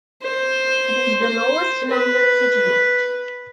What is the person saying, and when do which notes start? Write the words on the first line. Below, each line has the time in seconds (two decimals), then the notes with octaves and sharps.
It is the lowest numbered city route.
0.22 C5
1.22 C5
1.90 B4